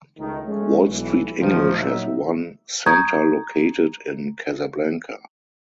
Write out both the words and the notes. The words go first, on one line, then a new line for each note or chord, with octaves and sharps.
Wall Street English has one center located in Casablanca.
C#2 D#3 A3 D#4
G#3 A3 C#4
B1 E3
D2 A#2 D#3 F3
A#2 F#3 D#4 E5
A#5 C#6 D#6 G6 G#6